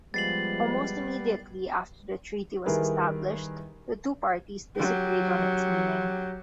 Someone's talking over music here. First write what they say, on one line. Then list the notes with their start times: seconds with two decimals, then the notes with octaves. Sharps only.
Almost immediately after the treaty was established, the two parties disagreed on its meaning.
0.14 F3 G3 G#3 B3 A6 C7 F#7
2.66 D#3 G3 E4 G#4 A#4 B4
4.77 F#3 G4